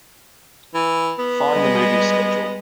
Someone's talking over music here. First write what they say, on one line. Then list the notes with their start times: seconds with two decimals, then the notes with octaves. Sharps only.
Fine the movie schedule.
0.74 E3
1.19 B3
1.52 G3 G#3 D#5